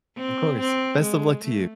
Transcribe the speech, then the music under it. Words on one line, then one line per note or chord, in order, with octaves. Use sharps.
Of course, best of luck to you.
C4
C4
G#3
A3